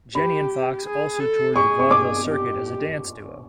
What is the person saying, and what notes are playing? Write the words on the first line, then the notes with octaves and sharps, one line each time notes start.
Jenny and Fox also toured the vaudeville circuit as a dance duo.
G4 B5
G#4
A4
G#4 C#6
C#6
D6
G4